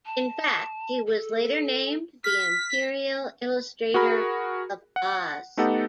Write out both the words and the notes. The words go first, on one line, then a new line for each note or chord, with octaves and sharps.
In fact, he was later named the Imperial Illustrator of Oz.
A5
A4
F6 B6
F#4 G#4 A#4 B5
F#5
A3 B3 D#4 G4 A4 F#5